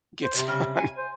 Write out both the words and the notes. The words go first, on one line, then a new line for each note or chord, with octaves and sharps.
gets on,
C5
C3
C#3 G3
G#5
C5